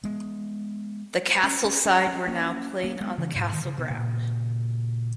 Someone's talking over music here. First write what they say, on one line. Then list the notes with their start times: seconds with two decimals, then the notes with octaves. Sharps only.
The Castle side were now playing on the Castle ground.
0.04 G#3 B3
1.44 C#4
1.65 C#4
1.86 C#4
2.07 C#4
2.27 A#3 C#4
2.83 A#3 C#4
3.01 G#3 B3
3.18 C#3 E3
3.36 G#2 B2
3.53 D#3
3.65 C#3
3.78 B2
3.90 A#2 C#3